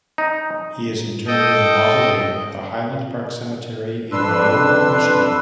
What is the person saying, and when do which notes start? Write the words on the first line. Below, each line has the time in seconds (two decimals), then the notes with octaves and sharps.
He is entombed in a mausoleum at the Highland Park Cemetery in Ionia, Michigan.
0.18 D#4
1.27 A4 D#5 G5
4.12 F2 D4 B4 C6 E6